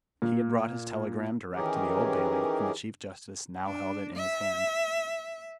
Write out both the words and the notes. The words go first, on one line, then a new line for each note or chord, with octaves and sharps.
He had brought his telegram direct to the Old Bailey, and the Chief Justice now held it in his hand.
A#2
D#3 E3 C#4 G4 G#4 A#4
D4
E5